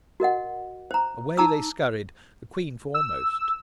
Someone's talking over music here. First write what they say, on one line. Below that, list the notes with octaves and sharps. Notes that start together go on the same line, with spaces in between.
Away they scurried, the queen foremost.
F#4 A#4 D#5 F#5
C5 A#5
D#4 A5 A#5 D6 E6
E6